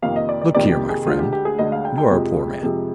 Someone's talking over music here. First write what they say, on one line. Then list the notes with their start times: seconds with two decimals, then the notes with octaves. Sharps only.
'Look here, my friend, you are a poor man.
0.02 F2 C3 D#3 A#3 F5
0.16 D#5
0.29 D5
0.42 D5
0.55 F2 C3 D#3 A#3 D5
0.72 G4
0.90 G#4
1.07 D2 D3 G#3 F4
1.20 G4
1.33 G4
1.45 G#4
1.59 D2 D3 G#3 D#5
1.72 F5
1.85 G5
1.98 G5
2.11 F2 C3 F3 G#3
2.62 F2 C3 F3 G#3